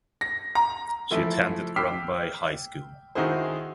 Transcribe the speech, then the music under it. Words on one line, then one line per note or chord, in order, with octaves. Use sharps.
She attended Granby High School.
A#6
A#5
E3 F3 A3 E4
G5 D6 E6 F6 B6 C7
D#3 D#4 E4 F#4 G#4 C5